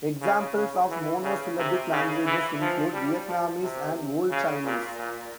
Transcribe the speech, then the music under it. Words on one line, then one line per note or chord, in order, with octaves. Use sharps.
Examples of monosyllabic languages include Vietnamese and Old Chinese.
C#3
C#3
E3
C#3
C3
C#3
E3
F3
G3
F3
C3
C#3
A#2
A#2